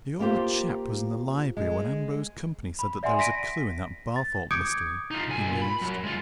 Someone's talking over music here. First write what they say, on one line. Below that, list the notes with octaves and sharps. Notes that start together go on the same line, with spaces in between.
"The old chap was in the Library when Ambrose Campany said that there was a clue in that Barthorpe history," he mused.
A#3 F4 G4 C5
G#3
B5
D5 E5 F#5 G#5 C6
A#6 B6 D7 D#7
A6
D6 D#6 G6 G#6 C#7 D7
D#4 F4
B1 G#5
A#2
B5
F#2
G#3 F4